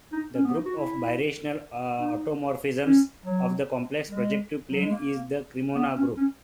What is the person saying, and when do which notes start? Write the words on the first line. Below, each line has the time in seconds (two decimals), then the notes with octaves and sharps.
The group of birational automorphisms of the complex projective plane is the Cremona group.
0.12 D#4
0.34 C#4
0.45 B3
0.54 D#4
0.65 F#4
0.75 E4
2.00 D#4
2.84 C#4
3.25 F#3
4.09 G#3
4.71 F#3
4.82 G#3
4.92 A#3
5.75 B3
5.95 C#4
6.17 C#4